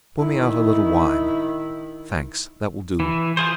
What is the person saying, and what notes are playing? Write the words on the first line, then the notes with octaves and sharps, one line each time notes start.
Pour me out a little wine; thanks, that will do.
D#3 E4
E3
F4 G#4 C5